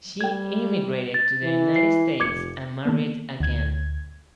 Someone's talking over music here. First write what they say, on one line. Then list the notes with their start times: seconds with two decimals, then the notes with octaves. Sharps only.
She emigrated to the United States and married again.
0.21 G3 G5 G#6
1.14 A6
1.43 E3
1.76 C7
2.20 F1 D6 G#6 C#7
2.85 D#3 A#3 B3
3.40 D2 G#6